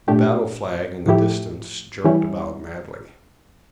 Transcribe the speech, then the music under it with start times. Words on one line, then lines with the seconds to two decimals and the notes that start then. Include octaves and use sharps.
The battle flag in the distance jerked about madly.
0.08 A#2 A3 D4 G4
1.06 A2 F3 A3 E4 G4
2.04 E3 G3 C#4 E4